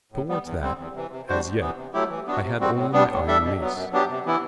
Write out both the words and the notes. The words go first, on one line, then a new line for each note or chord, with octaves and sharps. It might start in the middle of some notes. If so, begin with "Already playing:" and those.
Towards that, as yet, I had only my iron mace.
A2
G3 B3
E2
D3 G3 C4
E2
C3 E3
C3
G3 D4 F#4 C5
D2
C3 E3 B3
C3
F#3 A3 E4 G4
E3
B3 D4 F#4
C3
G3 C4 F#4
A2
G3 B3 D4
A2
G3 D4 A4 E5
B2
F#3 B3
F#2
F#3 B3 D4 G4
C3
E3 B3 E4